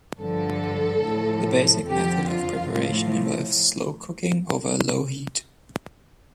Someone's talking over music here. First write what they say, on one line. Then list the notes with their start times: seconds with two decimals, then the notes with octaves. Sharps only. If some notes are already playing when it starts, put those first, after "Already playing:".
The basic method of preparation involves slow cooking over a low heat.
0.20 G2 D3 F3 A4
1.04 A2 F3
1.87 F2 D3 F3 G4
2.29 F4
2.71 A2 F3 F4